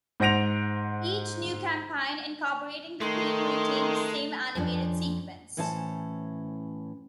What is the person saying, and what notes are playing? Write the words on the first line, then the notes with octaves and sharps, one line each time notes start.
Each new campaign incorporating the theme retained the same animated sequence.
G#2 C5 F#5 A#6 D7 F7
D#3 G#3 A3 C6
F2 F3 C#4 D4
A2 E3 C#4 C5 F5 A5